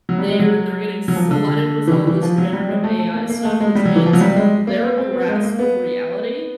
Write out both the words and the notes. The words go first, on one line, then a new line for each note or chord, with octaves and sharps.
they're they're getting flooded with all this generative AI stuff, which means their grasp of reality
F#3
G3
G#3
F#3
F#3
F3
D3
E3
D#3
E3
F3
F#3
G3
G#3
A3
A3
A#3
A#3
A3
G#3
G3
F#3
E3
F3
F#3
G3
G#3
A#3
B3
C4
B3
G#3
A#3
B3